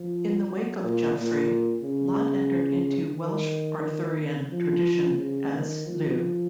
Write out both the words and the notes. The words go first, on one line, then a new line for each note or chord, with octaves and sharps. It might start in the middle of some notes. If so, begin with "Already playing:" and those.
In the wake of Geoffrey, Lot entered into Welsh Arthurian tradition as "Lleu".
Already playing: F3
F#3
A#2
A#2
C#3
D#3
F3
C#3
D#3
F3